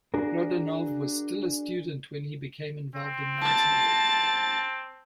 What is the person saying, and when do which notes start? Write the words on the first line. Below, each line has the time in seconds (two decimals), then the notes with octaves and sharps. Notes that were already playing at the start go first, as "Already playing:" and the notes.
Prodanov was still a student when he became involved in mountaineering.
0.14 D4 F#4 G#4 A#4
2.95 C4
3.41 A5 A6